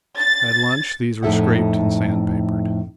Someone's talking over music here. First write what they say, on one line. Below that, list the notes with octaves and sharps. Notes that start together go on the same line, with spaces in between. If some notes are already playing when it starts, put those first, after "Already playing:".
At lunch these were scraped and sand-papered.
A6
F2 A2 D#4 A4 E5 F#5